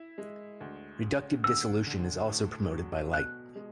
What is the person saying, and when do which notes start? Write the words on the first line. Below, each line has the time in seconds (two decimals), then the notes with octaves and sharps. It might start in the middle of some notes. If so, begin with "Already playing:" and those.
Reductive dissolution is also promoted by light.
Already playing: E4
0.18 G#3
0.61 D2
1.02 C#3
1.44 D2 E6
1.87 D3
2.28 A2
2.71 F#3
3.13 B2 F#6
3.56 G#3